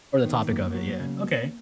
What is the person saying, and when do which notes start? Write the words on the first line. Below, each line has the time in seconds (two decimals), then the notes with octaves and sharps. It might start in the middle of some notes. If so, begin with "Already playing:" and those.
or the topic of it, yeah, okay.
0.25 D#3 B3
0.49 F#2 A#3
0.74 F#3
1.00 C#3